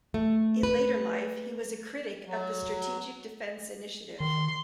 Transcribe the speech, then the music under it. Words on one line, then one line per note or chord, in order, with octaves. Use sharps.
In later life he was a critic of the Strategic Defense Initiative.
A3
B4
F#3
D#3 C6